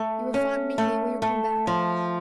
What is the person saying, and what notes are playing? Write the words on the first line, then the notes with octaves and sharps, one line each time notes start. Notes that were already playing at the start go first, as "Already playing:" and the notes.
"You will find me here when you come back."
Already playing: A3
C#4
A3
A3
F3